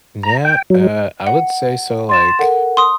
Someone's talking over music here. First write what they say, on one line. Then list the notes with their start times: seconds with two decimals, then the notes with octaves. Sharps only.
Yeah, uh, I would say so, like,
0.23 A#5
0.45 G5
0.70 F#3
1.27 F#5
2.09 C6 A6 E7
2.39 A4 A#4 F#5
2.77 C6 D#6